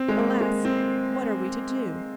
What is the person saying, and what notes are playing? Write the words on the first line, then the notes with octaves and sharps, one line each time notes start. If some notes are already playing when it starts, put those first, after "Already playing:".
Alas, what are we to do?
Already playing: C4
G#3
A#3
G#3
C4